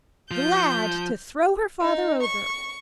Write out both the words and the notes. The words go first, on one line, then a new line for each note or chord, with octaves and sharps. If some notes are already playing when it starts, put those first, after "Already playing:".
Glad to throw her father over!
F3 G6
D#4
C#6